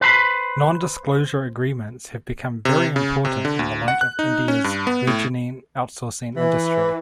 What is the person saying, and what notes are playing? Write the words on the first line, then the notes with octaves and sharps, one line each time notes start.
Non-disclosure agreements have become very important in light of India's burgeoning outsourcing industry.
B4 C5 A#5 B5
C3
C#3
C3
D3
D2
F#5
F#6
D#4
C#4
G2
B3
A2
E3